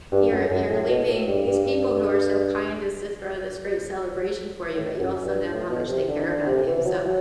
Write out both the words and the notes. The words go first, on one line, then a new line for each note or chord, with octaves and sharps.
you're you're leaving these people who are so kind as to throw this great celebration for you, but you also know how much they care about you. So,
G2
F#2
F#2
A2
B2
A2
G2
G2
G2
A2
F#2
G2
A2
B2
C3
D3
D3
C3
E3
F#3
F#3